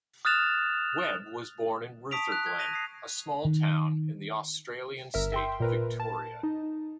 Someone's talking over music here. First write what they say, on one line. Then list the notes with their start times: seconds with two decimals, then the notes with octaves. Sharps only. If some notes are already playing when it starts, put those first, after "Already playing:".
Webb was born in Rutherglen, a small town in the Australian state of Victoria.
0.25 D#6 F6 F#6 A6 E7 F7
2.11 A5 C#6 D#6 B6 D7 F7
2.32 F#6
2.46 G#6
2.59 A#6 D#7 F7
2.73 D#6 A#6 C7
3.45 D#3
5.14 G1 A#4 E5
5.32 E5 G5 C6
5.60 A#2 A#4 B4
6.00 A5
6.43 D#4